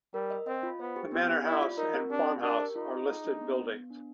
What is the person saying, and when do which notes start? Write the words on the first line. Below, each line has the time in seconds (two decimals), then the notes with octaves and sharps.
The Manor House and farm house are listed buildings.
0.14 G3 A#4
0.30 D#5
0.47 C4 D#5
0.63 F4
0.80 B3 C5
0.96 G4
1.12 B3 C4
1.29 G4
1.45 E4 D5
1.61 F4
1.78 D#4 A#4
1.94 C4
2.10 D4 G4
2.27 G4
2.43 D4 A#4
2.59 G4
2.76 D#4 F4
2.92 G#4
3.08 G#4
3.25 D4
3.41 B3
3.57 B3
3.74 B3
3.90 D4